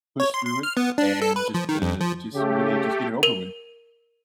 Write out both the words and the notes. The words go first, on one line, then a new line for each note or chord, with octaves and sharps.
push through it, and just to just really just get it over with.
C#5
C6
C6
F6
B3
D4
A4
B4
F3
D#3
F2
F3
C#3 A3 G4
A#4 D#7 F7 G7